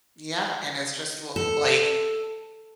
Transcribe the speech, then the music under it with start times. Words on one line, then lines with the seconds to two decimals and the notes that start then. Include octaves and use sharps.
Yeah, and it's just l like,
1.36 A4